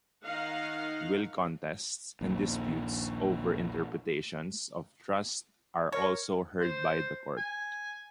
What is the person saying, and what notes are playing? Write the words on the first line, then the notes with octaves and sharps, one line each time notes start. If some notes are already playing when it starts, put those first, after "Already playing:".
Will contests and disputes over interpretations of trusts are also heard by the Court.
D#3 D#4 D#5 F5 F#5
A#1 D#2
A#4 C#5
C5
G#5